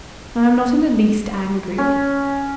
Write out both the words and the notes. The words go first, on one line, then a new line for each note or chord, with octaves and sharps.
"I am not in the least angry."
C#4